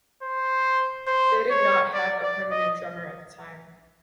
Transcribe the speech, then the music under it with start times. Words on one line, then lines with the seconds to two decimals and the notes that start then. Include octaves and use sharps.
They did not have a permanent drummer at the time.
0.23 C5
1.07 C5
1.51 C#5
1.94 D5
2.22 D5
2.51 D#5